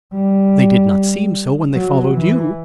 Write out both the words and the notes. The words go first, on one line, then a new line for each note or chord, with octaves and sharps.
"They did not seem so when they followed you."
G3
F#3
E3